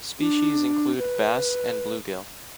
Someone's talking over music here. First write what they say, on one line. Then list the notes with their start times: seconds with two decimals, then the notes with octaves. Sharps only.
Species include bass and bluegill.
0.19 D4
0.99 B4